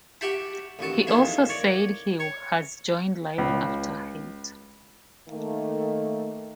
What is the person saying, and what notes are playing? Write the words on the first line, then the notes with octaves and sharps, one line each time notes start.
He also said he has joined Life After Hate.
F#4 G4 E5 G5 A5 B5
A1 D#2 F#4 A5
F2 D#3 G#3 A#3 E4
C#5 D5
C#5
C#2
D#3 A3 A#3